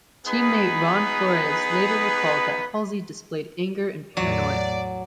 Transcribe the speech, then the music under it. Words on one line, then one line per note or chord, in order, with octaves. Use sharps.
Teammate Ron Flores later recalled that Halsey displayed anger and paranoia.
B3 D#4 G#4 B4 B5
E2 A2 F#3 D5